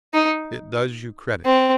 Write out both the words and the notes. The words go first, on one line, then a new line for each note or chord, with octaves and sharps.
It does you credit.
D#4
C4